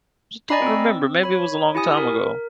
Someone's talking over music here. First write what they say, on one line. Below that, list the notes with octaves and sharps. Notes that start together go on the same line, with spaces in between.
just don't remember, maybe it was a long time ago?
D5 D#5 G#5 A#5 B5 C7
C4 E6
C#5 B5
E4 G4 G#5 D#6
A#4